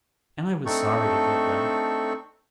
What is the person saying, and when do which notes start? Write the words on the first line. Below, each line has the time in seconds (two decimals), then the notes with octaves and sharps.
And I was sorry to give them.
0.66 A3 C4 D4 D#4 A4 C#6